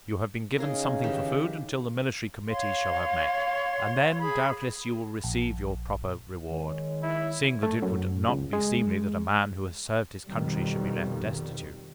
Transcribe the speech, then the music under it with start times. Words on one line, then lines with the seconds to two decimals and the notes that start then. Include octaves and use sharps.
You have been given something for food until the Military Committee shall have met, and then, doubtless, you will receive your proper reward, seeing that it would not be seemly that a man who has served his country should be left destitute.
0.58 C#3 D#4 G#4 A#4
1.04 D#3 E3 G4
2.48 C#5 F5 C6
4.18 G#4 B5
5.24 A#1
6.50 D#3 G#3 C#5
7.03 E4
7.63 A3
7.82 F#2
8.29 C#2
8.53 G#3
10.28 F2 B2 D#3 G3